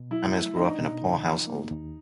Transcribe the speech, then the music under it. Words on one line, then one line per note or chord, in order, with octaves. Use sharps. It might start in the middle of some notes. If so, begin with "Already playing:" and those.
Ames grew up in a poor household.
Already playing: B2
F#3 E4
A3
D4 D#4
B2
D3
F3
A#3
D#2